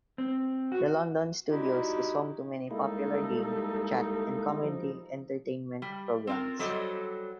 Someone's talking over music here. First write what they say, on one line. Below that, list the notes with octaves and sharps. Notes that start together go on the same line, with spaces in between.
The London Studios is home to many popular game, chat and comedy entertainment programmes.
C4
F#4
G3 G#3 D#4 E4 F#4 G4
G3 G#3 A#3 D#4 E4 A4
F3
G3
C4 F4 A#4
F#3 G3 A4 C5 D5 D#5